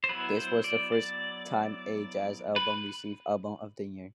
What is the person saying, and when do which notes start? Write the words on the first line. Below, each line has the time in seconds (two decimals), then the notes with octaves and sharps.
This was the first time a jazz album received Album of the Year.
0.04 C5
0.09 F#3 B3 E4 B4
0.37 C5
0.64 D5
0.92 D5
2.56 B4